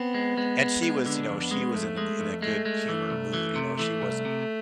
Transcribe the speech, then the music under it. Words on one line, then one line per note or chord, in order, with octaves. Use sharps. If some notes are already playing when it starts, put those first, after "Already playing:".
And she was, you know, she was in in a good humor mood, you know, she wasn't,
Already playing: B3 C4
G#3
G#3
G#3
G#3
D3 D4
F2
B3
G#3
F2 A3
G#3
F2
G#3 A3
G#3
E3
C2
E3
C3
E3 A3
C2
C3